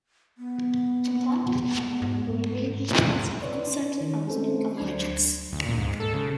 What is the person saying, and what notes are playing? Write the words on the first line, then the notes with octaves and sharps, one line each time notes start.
In that encounter, Holborne showed himself uncertain of his new allegiance.
B3
G#2
B4 C#5 D5 C6
D#3
C4 C#4 A4 C5
D2 F#3 D4 C5 G#6 C7
D2
A#2
G#2
A4
C#3